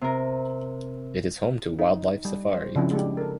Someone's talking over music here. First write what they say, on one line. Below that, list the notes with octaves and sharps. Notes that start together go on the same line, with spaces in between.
It is home to Wildlife Safari.
C3 A#4
D#4
G3
C5
C#3 F3 C4 E4
G#3 D4 F#4 G4
A4 A#4